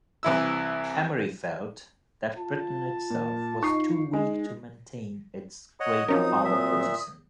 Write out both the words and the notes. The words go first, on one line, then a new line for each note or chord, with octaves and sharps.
Amery felt that Britain itself was too weak to maintain its great power position.
C2 E3 E4 E6
F4 A5
A#2
D#4 C#6 C7
G#3
C#5 D#5 F#5 D#6
F3 F#3 C4 C#4 D#4 A#4
A#2 E5